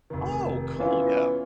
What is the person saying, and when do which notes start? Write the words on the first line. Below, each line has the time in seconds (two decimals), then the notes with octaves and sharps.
Oh, cool, yeah.
0.10 F1 D#3
0.79 E3 B3 C#4 F4